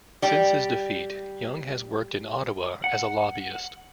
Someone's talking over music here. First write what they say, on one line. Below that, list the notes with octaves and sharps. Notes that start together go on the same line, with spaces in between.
Since his defeat, Young has worked in Ottawa as a lobbyist.
G3 G5
F#5